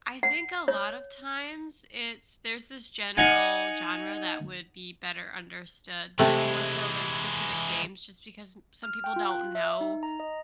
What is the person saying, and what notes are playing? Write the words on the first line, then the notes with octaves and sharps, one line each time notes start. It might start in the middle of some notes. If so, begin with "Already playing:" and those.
I think a lot of times, it's there's this general genre that would be better understood that more so than specific games just because m some people don't know
F#5
C#5
D#4 F#5 G#5
C3 E3 G#3 A3
F6
G5
F4
F#6
E5
D#4
A#5
D#5